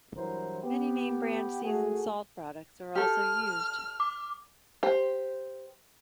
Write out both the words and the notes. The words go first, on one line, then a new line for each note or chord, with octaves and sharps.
Many name brand seasoned salt products are also used.
G2 E3 F#3 E4 A#4 C5
B3 G4
A3 F#4 G#4
G4 A4 F6
D6
G4 C5